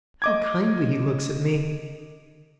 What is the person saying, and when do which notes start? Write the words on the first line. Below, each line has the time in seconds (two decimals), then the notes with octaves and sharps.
How kindly he looks at me!
0.22 D#5 D6 G#6